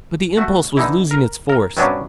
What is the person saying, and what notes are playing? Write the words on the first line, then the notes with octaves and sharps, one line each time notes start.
"But the impulse was losing its force."
A3 F#4
D3 E3 D#4 E4
A#4
A#4
G2 C3 F#3 B3 C#4 D4